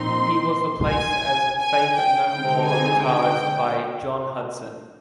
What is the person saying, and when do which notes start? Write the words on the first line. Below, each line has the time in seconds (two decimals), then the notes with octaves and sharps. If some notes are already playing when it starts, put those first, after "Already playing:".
He was replaced as Faith No More guitarist by Jon Hudson.
Already playing: A#2 F3 C4 D#4 C6
0.87 G#5
1.59 G#5
1.95 G5
2.30 D3 G#3 C4 D#4 G5
2.66 G#5
3.03 G5